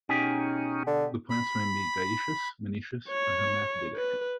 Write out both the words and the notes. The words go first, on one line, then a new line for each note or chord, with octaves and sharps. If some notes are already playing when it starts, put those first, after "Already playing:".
The plants may be dioecious, monoecious, or hermaphroditic.
B2 C#4 D#4 G4 G#4
D3
B5
C#5
B4